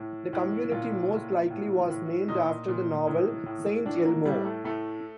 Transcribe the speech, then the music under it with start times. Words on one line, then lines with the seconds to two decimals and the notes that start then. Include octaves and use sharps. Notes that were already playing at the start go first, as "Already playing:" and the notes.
The community most likely was named after the novel "Saint Elmo".
Already playing: A2
0.33 A2
0.72 A#2 F4
1.11 A#2
1.50 A2
1.90 A2
2.28 A#2 D#4
2.68 A#2
3.07 A2
3.46 A2
3.86 A2 D4
4.05 A#3
4.25 A2 G3
4.45 A3
4.64 A2 A3